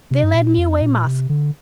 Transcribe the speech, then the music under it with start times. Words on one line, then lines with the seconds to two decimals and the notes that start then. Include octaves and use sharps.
They led me away masked.
0.11 C3
0.23 G2
0.35 A#2
0.58 F2
0.82 A#2
1.06 C3
1.29 D3